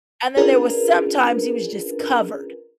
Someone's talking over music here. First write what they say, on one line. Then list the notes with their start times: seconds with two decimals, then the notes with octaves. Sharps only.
And then there was sometimes he was just covered,
0.37 C#4 D4 F4 G#4 A#4 B4